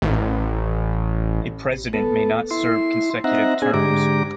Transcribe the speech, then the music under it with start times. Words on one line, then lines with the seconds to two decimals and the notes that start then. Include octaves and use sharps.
A president may not serve consecutive terms.
0.02 A1
1.93 B3 A4
2.51 E4 C6
3.24 C4 D#4 E5 F#5 A#5
3.62 C4 D4 G#4 G#5
3.74 G#2 D3 G4 A#5 D6